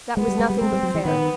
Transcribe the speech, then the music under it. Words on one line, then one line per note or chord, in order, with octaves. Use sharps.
That was nothing but fair.
G#3 B3
G3
G#3
G3
G#3 C4
G3
F#3
E3
D#3 B3